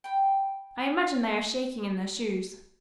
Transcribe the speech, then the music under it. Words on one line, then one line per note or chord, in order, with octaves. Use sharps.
"I imagine they are shaking in their shoes."
G5 B5